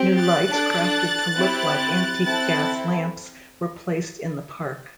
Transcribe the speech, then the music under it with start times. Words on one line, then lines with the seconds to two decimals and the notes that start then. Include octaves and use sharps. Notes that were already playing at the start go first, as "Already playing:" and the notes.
New lights crafted to look like antique gas lamps were placed in the park.
Already playing: C4 G4
0.19 F#6 A6
0.49 D4 A4
1.36 C4 E4 G4
2.24 C4 E4 A4 F#6 A6